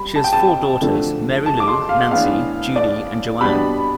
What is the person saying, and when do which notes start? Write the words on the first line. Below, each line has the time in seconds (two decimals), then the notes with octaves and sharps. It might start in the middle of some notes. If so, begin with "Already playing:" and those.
She has four daughters, Mary Lou, Nancy, Judy, and Jo-An.
Already playing: G3 B5
0.16 A5
0.24 G5
0.33 A5
0.81 D3 F3 A3 D4
1.46 A5
1.60 D6
1.68 C6
1.89 F5
2.11 A2 E3 B3 D4 F5
2.76 D5
3.41 B2 G3 B3 D4 B5